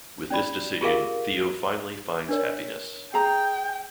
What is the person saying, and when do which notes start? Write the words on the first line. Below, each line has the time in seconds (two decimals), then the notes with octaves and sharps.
With this decision Theo finally finds happiness.
0.30 C#4 D5 B5
0.81 F4 G4 G#4 A#4 E5 F5
2.29 D4 A#4 C#5
3.14 G#4 G5 A#5